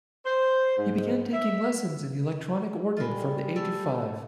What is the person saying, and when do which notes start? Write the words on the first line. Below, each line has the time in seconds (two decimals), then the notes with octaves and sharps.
He began taking lessons in the electronic organ from the age of five.
0.24 C5
0.77 G#2
1.32 E5
2.97 G3 G#3 F4 A4 A#4 B5
3.56 A3